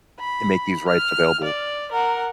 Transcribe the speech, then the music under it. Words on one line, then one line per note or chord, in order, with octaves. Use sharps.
and make these rights available."
B5
F6
D5
A#4 F#5